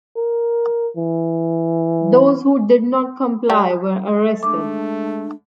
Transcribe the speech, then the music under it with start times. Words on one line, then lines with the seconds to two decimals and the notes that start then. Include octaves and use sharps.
Those who did not comply were arrested.
0.16 A#4
0.97 E3
3.50 G3
4.43 G#3 A3 D4 D6